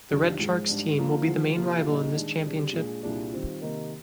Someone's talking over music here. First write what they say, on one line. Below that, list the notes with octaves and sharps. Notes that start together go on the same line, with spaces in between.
The Red Sharks team will be the main rival in this championship.
F2 C3 D#3 G3 D4
G#2 F3 G#3
G#2 G3 D4
F3 A#3 D4 F4
D3 F3 G#3
C3 F3 A#3 F4
A#2 G3 A#3 D#4
D#3 G#3 D4
C3 G3 D4 G#4
A#2 G#3 D4 G#4
C2 A#2 G3 D4 G#4
D#3 G3 C4 F4
C3 D#3 A#3 D#4 A#4